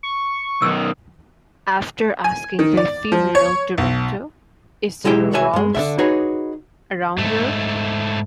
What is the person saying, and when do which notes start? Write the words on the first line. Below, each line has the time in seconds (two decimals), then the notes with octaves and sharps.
After asking the funeral director, Is there a Ralphs around here?
0.03 C#6
0.62 B1 D#3 E6
2.24 G#5
2.59 D#3
2.77 D5
3.12 F3
3.35 C#5
3.78 B1
5.04 B1 G#3 E4 G4 G5
5.32 C2 G#3 F#4 C#5 E5 G#5
5.53 G2 G#3
5.75 D3 E5
5.98 D#4 F#4 G#4 B4 C#5
7.18 G#2 A3